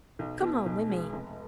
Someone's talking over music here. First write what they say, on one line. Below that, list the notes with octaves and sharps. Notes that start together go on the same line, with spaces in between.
Come home with me.
B1
B2
B1
G#3
F1